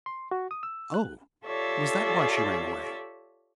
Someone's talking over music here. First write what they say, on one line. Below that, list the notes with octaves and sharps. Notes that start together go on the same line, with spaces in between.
"Oh! Was that why she ran away?"
C6
F#4
D#6
E6
F#6
F4 G4 A4 C#5 D5 E5